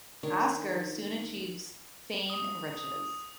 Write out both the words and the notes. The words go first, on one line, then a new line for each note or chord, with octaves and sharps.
Oskar soon achieves fame and riches.
D#3 D4 C#5
D#6